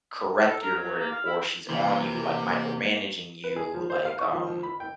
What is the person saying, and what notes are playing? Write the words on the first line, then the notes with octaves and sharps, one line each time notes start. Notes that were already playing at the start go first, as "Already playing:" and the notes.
correct your work or she's on you, like, micromanaging you? Like, um
A4
A#4
F#3
A#3
F5
E4
C3 E3 A#3 C#4
B4
G#4
F3
C5
F5
C#6
F3
F3
B5
G5